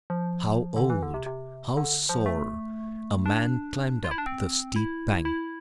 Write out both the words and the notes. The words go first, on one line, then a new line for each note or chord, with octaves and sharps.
How old, how sore a man climbed up the steep bank!
F3
D3
E3
D3
C3
C3
D3
F3
A3
D4
F4
E4
D4
C4
E4
E4